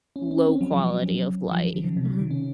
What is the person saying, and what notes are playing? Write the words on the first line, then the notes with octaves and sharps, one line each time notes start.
low quality of life mhm.
C#4
C#4
C4
F#3
F3
F#3
F3
F#3
D#3
C#3
C3
C#3
D#3
C#4